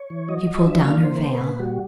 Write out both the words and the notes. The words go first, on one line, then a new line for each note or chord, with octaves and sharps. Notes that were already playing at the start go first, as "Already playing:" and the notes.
She pulled down her veil.
Already playing: C#5
E3
F#3 D#5
F#3
D4 E5
A#3 F5
E3 C5
B3 C5
A#4
A#2 B4
G3 F#4